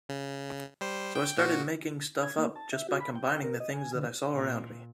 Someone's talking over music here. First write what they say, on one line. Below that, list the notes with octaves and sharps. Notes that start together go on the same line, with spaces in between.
So I started making stuff up just by combining the things that I saw around me.
C#3
G3 C5
G5
A#2 F#4
G#6
A#3
A5
E5
F#4
B5
G5
A#4
D#5
G#5
D3
A#2